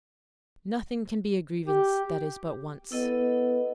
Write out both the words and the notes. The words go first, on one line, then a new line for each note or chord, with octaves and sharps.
Nothing can be a grievance that is but once.
G4
B3 E4 A4 D#5